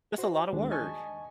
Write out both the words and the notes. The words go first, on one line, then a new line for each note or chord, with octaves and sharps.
That's a lotta work.
F#4 C5
D#2 D#3 G#3 D4
D#5 G#5 A5 C#6